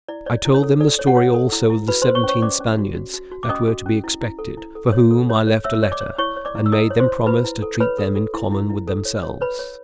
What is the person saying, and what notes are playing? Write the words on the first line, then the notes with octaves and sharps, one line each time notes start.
I told them the story also of the seventeen Spaniards that were to be expected, for whom I left a letter, and made them promise to treat them in common with themselves.
E4 D5
C#5 D5
E4
C#5
A4
A4 D5
C#5
F#4 F#5
C#5
A4
E4
E4
F#4 B4 B5
B4 C5 C6
C#5 C#6
C#4
C#5 C#6
C#4 D5 D6
C#4
F#4
F#4
F#4
F#4
D6
C#4 D#5 D#6
F#4
C#4
E4
E4
A4
E4
A4
C#5
A4
C#5
C#5
C#5 E5 E6
C#5
D5 D6
C#5
E4 C#5 C#6
C#5
D5 D6
E4
E6
E4 D#5 D#6
C#5
C5 C6
C#5
E4 B4 B5
E4
A4
B4 C#5 B5
A4
A4
E4
E4
E4
A4
C#5
C#5
B4 C#5 B5
C#5